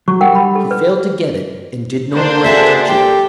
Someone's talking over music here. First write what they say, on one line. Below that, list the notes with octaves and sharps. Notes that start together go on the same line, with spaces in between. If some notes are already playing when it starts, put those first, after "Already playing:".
He failed to get it, and did no more than touch it.
F#3 C#6
G3 A#4 F#5 G5
B5
A4
B4
A#3 D4 C5
F#4 G#4 A4 E5
G4 A4